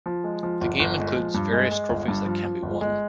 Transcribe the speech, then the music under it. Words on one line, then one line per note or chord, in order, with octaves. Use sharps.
The game includes various trophies that can be won.
F3
G#3
F3
G1
G1
G#3
F3
G2
G#3
G#3
G1
G2
F3
F3
G1
G#3